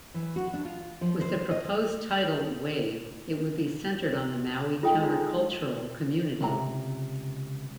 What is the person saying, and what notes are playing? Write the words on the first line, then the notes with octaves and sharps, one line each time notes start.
With the proposed title "Wave", it would be centered on the Maui countercultural community.
E3
F#4
D4
F4
F3
C5
D#5
G#3 D#4 F4 A4 G5
C#2 C3 A#5